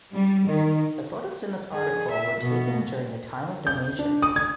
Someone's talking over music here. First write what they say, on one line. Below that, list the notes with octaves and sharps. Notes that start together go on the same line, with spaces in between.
The photos in this article were taken during the time of donation.
G3
D#3
G#4
E5
B2
G6
D4
D#6
G#6